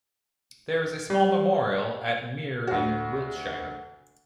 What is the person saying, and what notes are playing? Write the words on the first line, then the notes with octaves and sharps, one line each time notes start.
There is a small memorial at Mere in Wiltshire.
G3
D2 F#4